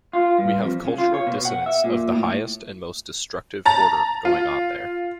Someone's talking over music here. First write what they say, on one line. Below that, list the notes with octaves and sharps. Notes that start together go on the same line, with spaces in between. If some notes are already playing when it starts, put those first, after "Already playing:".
We have cultural dissonance of the highest and most destructive order going on there.
F4
G2
F2
C#3
F4
C#5
B2
F#5
E5
A#2
A2
A5 A#5 A6
F4